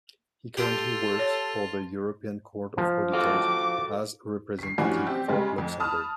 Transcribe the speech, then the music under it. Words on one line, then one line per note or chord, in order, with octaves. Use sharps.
He currently works for the European Court of Auditors as representative for Luxembourg.
F4 G4 A4 A5
C#5
F3
F#4 A4 F5 D6
B6 C7
G2 E3 F3 C#4 F#4
C4 G4
C#3 G3 G#3
F2
A5 B5 D#6 F6